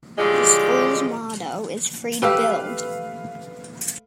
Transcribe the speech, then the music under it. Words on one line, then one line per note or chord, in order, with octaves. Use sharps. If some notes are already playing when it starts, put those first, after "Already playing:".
The school's motto is 'Free to Build'.
A2 D3 F3 G3 G#3
A3 G4 B4 E5 F5